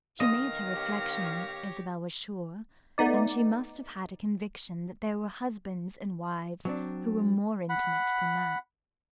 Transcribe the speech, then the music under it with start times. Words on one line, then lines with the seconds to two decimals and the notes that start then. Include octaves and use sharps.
She made her reflexions, Isabel was sure; and she must have had a conviction that there were husbands and wives who were more intimate than that.
0.20 D#3 B3 D#5 F5 A#6
0.73 G4 C#5
2.98 A3 B3 D#4 D5
6.65 F#3 C4 D4
7.69 F#5 B5